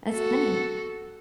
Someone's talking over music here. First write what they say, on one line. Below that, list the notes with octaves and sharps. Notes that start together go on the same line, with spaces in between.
That's funny.
F#4 A4